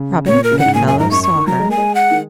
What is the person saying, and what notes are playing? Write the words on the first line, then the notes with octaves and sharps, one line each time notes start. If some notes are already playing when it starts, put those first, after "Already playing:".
Robin Goodfelllow saw her.
Already playing: C#3
A#2 C#5
A#4
C#3
F#5
G#2
A#2 G#5
F#2 G#5
G#2 A#5
F#2 C#6
C#6
D#3
F#3 A#5
G#3
A#3 G#5
G#3
F#5
D#3